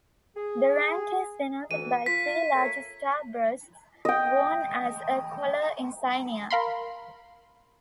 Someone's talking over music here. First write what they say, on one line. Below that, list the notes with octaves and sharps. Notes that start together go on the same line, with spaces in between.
The rank is denoted by three large starbursts worn as a collar insignia.
G#4
D2 E3 D#7
F4 B6
A3 A#4 C#5
D#5 G5
A#4 F5 B5 C6